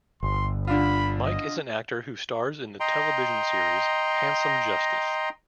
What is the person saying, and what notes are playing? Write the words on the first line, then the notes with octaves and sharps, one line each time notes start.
Mike is an actor who stars in the television series "Handsome Justice".
G1 C6
D3 D4 F4 B5
D#5
D#5 G5 A#5 C6